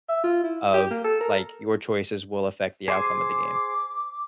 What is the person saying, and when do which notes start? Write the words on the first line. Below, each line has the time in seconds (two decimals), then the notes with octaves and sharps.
of like, your choices will affect the outcome of the game.
0.09 E5
0.24 F4
0.44 E4
0.73 G4
0.90 A#3
1.04 A4
1.21 A#4
2.88 G#4 C5 G#5 D6